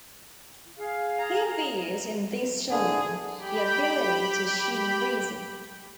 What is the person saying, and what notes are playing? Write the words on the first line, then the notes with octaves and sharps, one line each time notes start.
He viewed in these children the ability to achieve reason.
G#4 F5
A#5
D3 G#4
G4 G5 B5